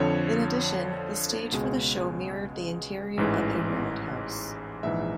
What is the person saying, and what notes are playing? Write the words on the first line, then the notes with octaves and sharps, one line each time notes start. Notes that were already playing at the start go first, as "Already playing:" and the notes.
In addition, the stage for the show mirrored the interior of a roundhouse.
Already playing: F2 D3 F3 C#5
C#2 B2 G#3
A1 G#2 E3
A#1 G#2 E3 E5